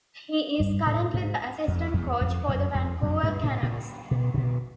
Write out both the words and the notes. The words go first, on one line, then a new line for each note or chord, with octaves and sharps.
He is currently the assistant coach for the Vancouver Canucks.
G2
A2
G#2
F2
E2
F2
F#2
F2
F#2
G2
A2
A#2
B2
A#2
B2